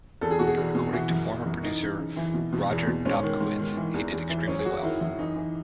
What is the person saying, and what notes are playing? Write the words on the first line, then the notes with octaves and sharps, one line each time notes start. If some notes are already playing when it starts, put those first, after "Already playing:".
According to former producer Roger Dobkowitz, he did extremely well.
E2 A4
G#4
B2 F#4
G#4
E2
B2
E3 F#4
F#2
E3
F#2
E3 D#4
C#3
C#3
E3
B2
B2
E2
B2
G#2 C#4
D#3
G#2
D#3
E3
E2
E2
E3
F#2 C#4
G#4
F#2 F#4
D#3 E4
F#2 E4
E3 D#4
E3